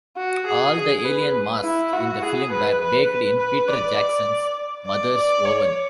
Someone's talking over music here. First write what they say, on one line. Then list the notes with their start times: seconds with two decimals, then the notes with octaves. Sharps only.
All the alien masks in the film were baked in Peter Jackson's mother's oven.
0.17 F#4
0.46 G#4
0.75 G#4
1.05 B4
1.63 E4
1.93 F#4
2.22 G#4
2.51 B4
2.80 B4
3.10 B4
3.39 B4
3.68 D5
4.86 D5
5.15 D5
5.45 C#5